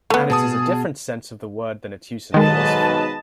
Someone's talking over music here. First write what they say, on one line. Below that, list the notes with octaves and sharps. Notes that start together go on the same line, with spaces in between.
And it is a different sense of the word than its use in philosophy.
D3 A3 B3
B2 G#4 A5 D#6
B1 G#2 D#3 G#3 B4 D#5 A5